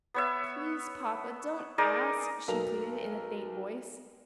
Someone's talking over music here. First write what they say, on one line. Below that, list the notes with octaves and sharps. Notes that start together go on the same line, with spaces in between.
"Please, papa, don't ask," she pleaded in a faint voice.
B3 C#5 E5
D#4 G#4 A#4 D5
B1 A4 A#4 A#5 F7